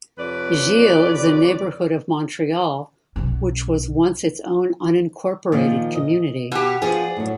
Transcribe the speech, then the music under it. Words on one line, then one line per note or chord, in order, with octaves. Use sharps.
Gile is a neighborhood of Montreal which was once its own unincorporated community.
F2 C3 B4 C#5 D5
B1 C#4
A#2 D#3 F3
D#5
B2 G4
F3 B3 D4 F4 G#4
A2 F#3